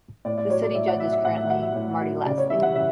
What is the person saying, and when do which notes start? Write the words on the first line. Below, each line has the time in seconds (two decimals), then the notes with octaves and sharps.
The city judge is currently Marty Lasley.
0.25 A2 D5
0.38 D5
0.50 F#3 C#5
0.62 D5
0.75 A2 E5
0.88 F#5
1.00 F#3 E5
1.12 E5
1.25 A2 F#5
1.37 E5
1.50 F#3 F#5
1.63 E5
1.75 A2
2.00 F#3
2.25 C#3 D5
2.38 C#5
2.50 E3 G3 E5
2.63 F#5
2.75 C#3 E5